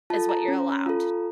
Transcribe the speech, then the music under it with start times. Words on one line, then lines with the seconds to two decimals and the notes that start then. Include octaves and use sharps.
is what you're allowed."
0.10 F4 A4 A5
0.29 A#5
0.48 C#4
0.86 F4 A4